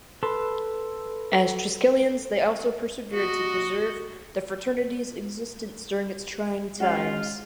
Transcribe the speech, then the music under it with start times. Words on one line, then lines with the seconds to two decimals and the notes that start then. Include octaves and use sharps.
As Triskelions they also persevered to preserve the fraternity's existence during its trying times.
0.23 A4 B4 C6
3.13 F#4 D#5
6.80 G#3 C#4 F4 F#4